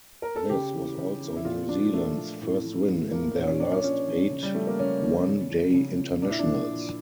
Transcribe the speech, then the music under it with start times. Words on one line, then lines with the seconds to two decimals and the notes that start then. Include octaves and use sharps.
This was also New Zealand's first win in their last eight one-day internationals.
0.22 A#4
0.36 A4
0.49 C#3 G4
0.73 E3
0.98 C#3
1.22 E3
1.36 E4
1.44 A#2 F4
1.68 F3 D4
1.93 A#2 A3
2.16 F3
2.41 A2
2.65 F3
2.88 A2
3.11 F3 A#3
3.35 A#2 C#4
3.47 C#4
3.60 F3 D4
3.72 C#4
3.83 A#2 C#4
4.08 F3
4.31 C#3
4.43 G3
4.55 F3 A3
4.67 A#3
4.79 C#3 C#4
5.02 F3
5.27 C#3
5.50 F3
5.74 C#3
5.98 F3
6.22 A#2 D4
6.30 E4
6.39 D4
6.46 F3
6.70 A#2